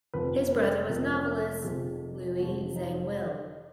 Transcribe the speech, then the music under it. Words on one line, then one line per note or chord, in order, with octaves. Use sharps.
His brother was novelist Louis Zangwill.
F1 F2 F3 B4
B4
F1 F2 F3 A#4
F1 F2 F3 G#4
F1 F2 F3 F#4
D#4